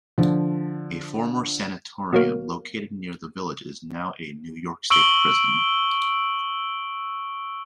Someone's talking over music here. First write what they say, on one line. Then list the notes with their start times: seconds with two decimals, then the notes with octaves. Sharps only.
A former sanitarium located near the village is now a New York state prison.
0.18 D3 F3
2.13 B2 F#3 A#3
4.90 C#6 E6 D7 F#7 G7